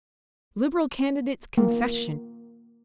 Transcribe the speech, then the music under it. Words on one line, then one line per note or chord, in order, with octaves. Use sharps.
Liberal Candidate's Confession.
A#3